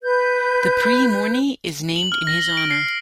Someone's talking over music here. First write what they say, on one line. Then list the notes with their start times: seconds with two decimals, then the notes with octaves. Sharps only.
The Prix Morny is named in his honour.
0.03 B4 G6
1.96 F#7
2.12 F6
2.27 A#6
2.42 G7
2.57 D7
2.71 C7